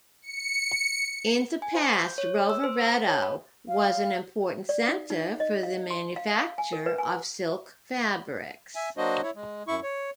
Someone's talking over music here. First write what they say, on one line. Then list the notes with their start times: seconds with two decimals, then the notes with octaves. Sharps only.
In the past Rovereto was an important centre for the manufacture of silk fabrics.
0.22 C#7
1.62 G#5
1.75 C5
1.95 G6
2.18 C#5
2.50 E6
2.64 C5
3.08 C#5
3.23 B5
3.68 F5
4.69 D5
4.88 D#4
5.10 D#4
5.40 D#5
5.63 F5
5.91 C6
6.16 F5
6.39 F5
6.58 G#5
6.73 A#4
6.86 B4
6.98 G#5
8.75 E5 G#5
8.97 F#3 A#3 D4 F#4 C5 D#5
9.23 E4 C#5
9.36 G#3
9.68 F#2 E4 C#6
9.83 C#5